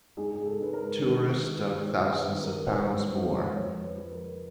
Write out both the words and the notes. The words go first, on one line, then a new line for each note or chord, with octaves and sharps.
Tourists dug thousands of pounds more.
G#2 G#4
G#4
A4
G#2 B4
A#4
D#3 B4
D#3
G#2 C5
B4
D#3
A#4
C5
G#2 B4
C5
G#2
C#5
F2 C#5
B4
F2
A#4